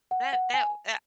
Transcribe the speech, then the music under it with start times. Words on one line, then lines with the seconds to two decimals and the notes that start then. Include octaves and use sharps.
That that that
0.11 F#5
0.33 F#5
0.54 G#5